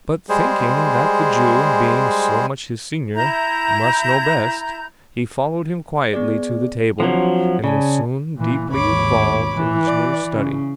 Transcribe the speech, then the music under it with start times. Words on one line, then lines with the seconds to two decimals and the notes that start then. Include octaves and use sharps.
But, thinking that the Jew, being so much his senior, must know best, he followed him quietly to the table, and was soon deeply involved in his new study.
0.29 G3 G#3 G#4 C5
3.16 E4 A#5 G6
6.14 B3 G#4 D5
7.00 F3 F#3 C4 D4 F#4
7.64 C#3 D5 G#5 A5
8.36 A#2 E3
8.72 G#1 D#2 C#5 B5 D6
9.55 E3
9.84 D5
10.34 C#3